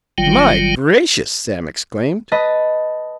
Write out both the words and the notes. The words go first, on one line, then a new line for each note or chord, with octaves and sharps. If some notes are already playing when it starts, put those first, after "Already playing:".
"My gracious!" Sam exclaimed.
G1 D#3 F#3 G3 F4 G5
B4 D#5 A5 B5